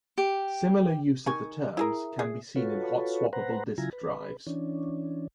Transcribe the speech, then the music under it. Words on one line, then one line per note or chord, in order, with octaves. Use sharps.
Similar use of the terms can be seen in hot-swappable disk drives.
G4
D#3 G#5 C#6
E4 G#4 A#4
G#4
F4 F#4 A4 B4 C#5
B4 C5 F#5 A#5
C#3 F#3 E4 F4 G#5 A#5
B4
E3 C#4 D4